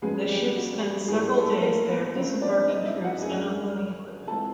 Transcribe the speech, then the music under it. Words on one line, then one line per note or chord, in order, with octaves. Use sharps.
The ship spent several days there disembarking troops and unloading equipment.
F2 C#3 F#3 G#3 B3 G#4
G3 G4
F#4
G3 G4
A2 E3 G3 G#3 A#3 G#4
A3 A4
A#3 A#4
B3 B4
C#3 F3 A#3 C4 C#4 C5
D4 D5
D#4 D#5
E4 E5
F#4 F#5
F#2 C#3 F#3 A3 D4 G#4 G#5
E3 G#3 C4 F4 A4 A5